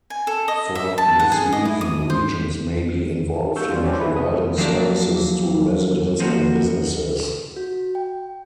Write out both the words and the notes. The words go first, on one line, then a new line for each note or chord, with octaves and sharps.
For this reason, regions may be involved in providing services to residents and businesses.
G#5
A4
D#5
E5
A5
F#5
G#4
D#5
E4
D#6
C5
F5 C#6 E6 G6
G3 C#4 F4 F#4
C#4 D4 F#4 G4 B4 C5
F3 E4 A4 B4
C3 D#6
G#3 A3
F3 F#3 A#3 D4 D5
F3 A#3 F#4 B4
F#4
G5